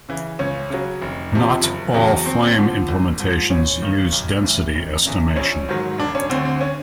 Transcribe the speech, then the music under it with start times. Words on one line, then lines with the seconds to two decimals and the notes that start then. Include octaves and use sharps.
Not all Flame implementations use density estimation.
0.09 C#3 E3
0.39 C#2 C#4
0.70 C#3 F#3
1.02 F1
1.32 E2 C3 F3
1.63 F#1
1.94 E2 C#3 F#3
2.25 D#2 C4
2.57 D3 F3
2.88 G#1
3.19 G#2 F3
3.50 A1 C#4
3.82 G2 D#3
4.12 B1
4.43 A2 E3
4.75 F1
5.06 E2 C#3
5.36 A#1 C#4
5.68 G#2 D#3 F#3
5.98 E1 D4
6.15 C#4
6.30 D2 D3 C4
6.45 C4
6.61 C#4